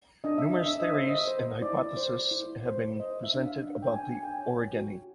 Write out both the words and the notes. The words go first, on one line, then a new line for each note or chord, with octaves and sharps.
Numerous theories and hypotheses have been presented about the orogeny.
D4 D#5
E5
D#5
D4
E5
D#5
C5 E5
D#5
C5
E4 D5
C5
E4
C5
C5 D#5
E5
D4
F5
D4 F#5
G5
G#5
D4
G#5
G5
G#5
C#5
F#4